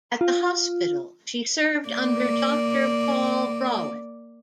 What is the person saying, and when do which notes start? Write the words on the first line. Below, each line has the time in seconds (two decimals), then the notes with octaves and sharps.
At the hospital she served under Doctor Paul Grauwin.
0.21 F4
1.89 A#3 D5